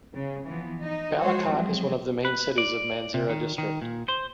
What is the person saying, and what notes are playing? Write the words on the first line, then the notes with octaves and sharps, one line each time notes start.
Balakot is one of the main cities of Mansehra District.
C#3
E3 F3 B3
D#4 D#5
F3 G#3 F#4 C5 C#5
F3 F#3 G#3 C4 G#4
B4
D5
C3
D#3
D#3
A#2
C5